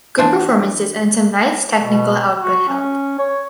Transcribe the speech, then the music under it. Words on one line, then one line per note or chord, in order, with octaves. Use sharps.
Good performances and some nice technical output help.
E3 F3 D4
B2
F#4
C#4
C#5